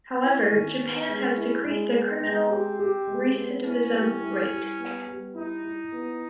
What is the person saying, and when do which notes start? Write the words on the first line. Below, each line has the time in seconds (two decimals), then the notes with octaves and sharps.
However, Japan has decreased their criminal recidivism rate.
0.23 C#4 E4
0.52 D#3
0.80 B3
1.09 G#3
1.37 E4
1.65 G#3
1.94 B3 C4
2.22 G#3
2.50 G4
2.79 G4
3.07 G#3
3.36 B3
3.65 C#4 E4
3.92 G3
4.21 E4
4.50 G3
4.79 B3
5.07 G3
5.35 D#4 E4
5.63 E4
5.92 B3